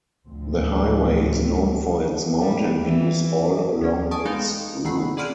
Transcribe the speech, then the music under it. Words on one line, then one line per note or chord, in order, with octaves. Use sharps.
The highway is known for its mountain views all along its route.
D2 A2 F3 C4
G3
E3
D#2 C#4
G#5 A5 C#6 D#6 D7
G#3 B3 D#4 A4 F5 G5
D#3 A3 F#5 B5 C7
G#4 D5 F#5 B5 C6 F6